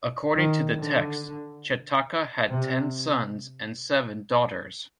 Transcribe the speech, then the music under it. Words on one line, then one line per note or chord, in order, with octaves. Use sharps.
According to the text, Chetaka had ten sons and seven daughters.
D#3
D3
C3